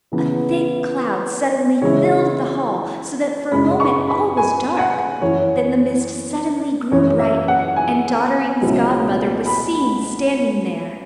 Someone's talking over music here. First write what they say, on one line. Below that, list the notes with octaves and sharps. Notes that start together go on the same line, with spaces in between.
A thick cloud suddenly filled the hall, so that for a moment all was dark. Then the mist suddenly grew bright, and Dotterine's godmother was seen standing there.
C#3 E3 B3 E4
C#3 E3 G#3 C#4 E4 C#5
F#2 C#3 G#3 C#4 E4 B5
C#6
B5
G#5
F#5
F#2 E3 C#4 E4 C#5
F#2 E3 C#4 C#5
E5
F#5
G#5
C#2 B2 F#3 E4
B5